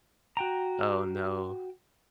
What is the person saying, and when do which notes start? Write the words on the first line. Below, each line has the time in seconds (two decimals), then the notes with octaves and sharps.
Oh, no.
0.37 F#4 G5 A#5